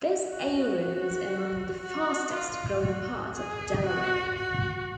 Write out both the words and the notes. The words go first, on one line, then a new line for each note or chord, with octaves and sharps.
This area is among the fastest growing parts of Delaware.
F#4
F#4
F#4
F4
F#4
G#4
F#4
F#4